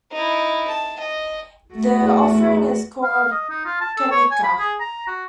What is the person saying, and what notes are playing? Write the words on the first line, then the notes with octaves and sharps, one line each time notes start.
The offering is called 'Kanikka'.
D#4 E4
A5
D#5
A3 F#4
E2
F5
D#5
D#4
F4
A5
A4
C#5
G#5
B5
G#4
A#5
F#4